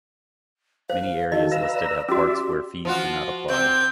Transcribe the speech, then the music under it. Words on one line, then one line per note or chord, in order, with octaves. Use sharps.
Many areas listed have parts where fees do not apply.
C5 F5
D#3 F#4 A4 D#5
B4 F5 A#5 E6
D5
C#4 F#4 G4 D5 E5
F3 F4 F#4
C3 C4 G6